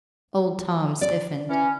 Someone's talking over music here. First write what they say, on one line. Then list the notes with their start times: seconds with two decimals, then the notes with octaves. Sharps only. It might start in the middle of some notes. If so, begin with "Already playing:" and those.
Old Tom stiffened.
1.01 D5
1.49 E3 C#4